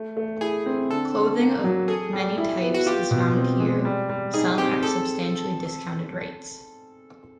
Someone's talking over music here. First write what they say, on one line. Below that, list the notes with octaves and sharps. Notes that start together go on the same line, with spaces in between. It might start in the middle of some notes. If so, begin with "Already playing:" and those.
Clothing of many types is found here, some at substantially discounted rates.
Already playing: A3
A3
E4 G#4
C4
D3 A4
D3
A#3
F#3
G#4 A4
G3
E4
B3
F#4
F4 G4
B2
C4
G#3
G3
G3
D#4 G#4
C4 G4
G#4 A4